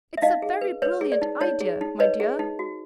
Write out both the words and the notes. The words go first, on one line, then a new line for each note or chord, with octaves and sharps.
It's a very brilliant idea, my dear!
E5
D#4 D#5 F5
G#4
B4
B4 C#5
G#4
D5
D#4
D#4 C#5
G#4
D#4
B4 C#5 D#5
G#4
D#4
F#4